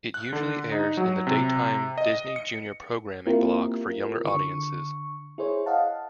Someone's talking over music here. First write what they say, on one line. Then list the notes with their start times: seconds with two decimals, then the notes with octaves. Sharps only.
It usually airs in the daytime Disney Junior programming block for younger audiences.
0.14 F#6
0.33 D3
0.72 D#4
0.97 F#3
1.27 C3
1.98 D#5
2.36 C#7
3.26 A#3 C4 E4 F4 G4 A#4
4.25 D3 C#6
5.38 E4 G#4 C5 C#5
5.66 D#5 F5 F#5 A5